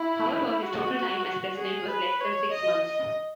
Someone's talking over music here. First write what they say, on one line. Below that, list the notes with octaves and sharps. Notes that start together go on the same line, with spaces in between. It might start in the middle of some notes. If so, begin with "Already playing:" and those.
However his total time as president was less than six months.
Already playing: E4
F#4
G#4
B4
C#5
D#5
D#5